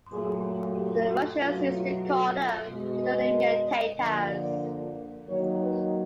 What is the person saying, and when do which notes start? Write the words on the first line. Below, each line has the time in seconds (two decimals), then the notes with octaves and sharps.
The Russians used to call them the Chulymian Tatars.
0.12 A#2 F#3 A3 G#4
0.76 G4
1.09 F#4
1.41 B2 F#3 A3 F4
1.73 F4
2.05 F#4
2.38 F4
2.70 B2 G#3
3.03 B4
3.34 A#4
3.67 D#5
3.99 D3 F3 A#3 D#5
4.32 D5
5.28 D#3 F#3 A#3 C#5
5.61 B4